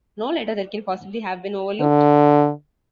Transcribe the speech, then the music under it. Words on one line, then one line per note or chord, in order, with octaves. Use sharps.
No letter that can possibly have been overlooked?
D3